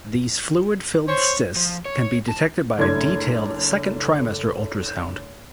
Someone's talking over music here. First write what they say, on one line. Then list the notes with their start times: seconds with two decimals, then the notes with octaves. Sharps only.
These fluid-filled cysts can be detected by a detailed second trimester ultrasound.
1.08 C5 C#5
1.57 F3
1.85 C#5
2.28 A5
2.78 F#1 A3 D4 C#5 C6 G#6